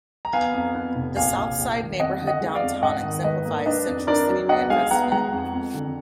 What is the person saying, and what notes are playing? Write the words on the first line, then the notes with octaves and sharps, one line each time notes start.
The Southside neighborhood downtown exemplifies central-city reinvestment.
A#5
B3 F5 G#5
F2
B3
F1
A#1 F5 G#5
A#1
A#1
D#3
F2 D#5 F#5
D3
D#5 F#5
G#3
D5 F5
F2
G#2 D#5 F#5
D#3
G#2 B4 D#5
A#3
D4 B4 D#5
F2
D4 A#4 D5
F#3
B3 D#5 F#5
G#3 F5 G#5
B3 F#5 A#5
G#3 F#5 A#5
F2
F2
D3